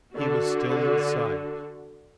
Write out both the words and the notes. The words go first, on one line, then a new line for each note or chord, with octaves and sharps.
He was still in sight.
D3 F#4